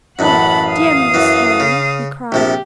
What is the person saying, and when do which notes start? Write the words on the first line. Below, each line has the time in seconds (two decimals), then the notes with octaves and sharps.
"Oh, dear Miss Heron!" he cried.
0.19 A1 F#2 F#5 A5 B5
0.68 F5 D#6
1.14 F#2 E3
1.60 C#3
2.32 A#1 C3 F3 G4